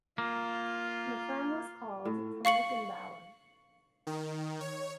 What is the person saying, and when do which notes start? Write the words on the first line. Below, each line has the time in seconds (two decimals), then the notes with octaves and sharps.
The firm was called Koenig and Bauer.
0.18 A#3 F4
2.05 A2
2.45 F5 C#6 C#7 F#7
4.07 D#3
4.60 C#5